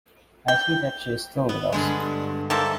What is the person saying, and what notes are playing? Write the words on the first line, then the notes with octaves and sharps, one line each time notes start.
I see that she is still with us.
G5
B3
G2 D3 G#3
D#3 A#3 A4 C5 E5 A5